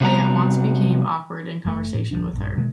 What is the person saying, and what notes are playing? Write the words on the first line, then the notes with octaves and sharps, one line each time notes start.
They at once became awkward in conversation with her.
C3 F#3 G3 B3 F#4 A#5
F#1 A3
A2
D1 E2 F3 D4
A#1 G2
B2 D#3 G#3 A#3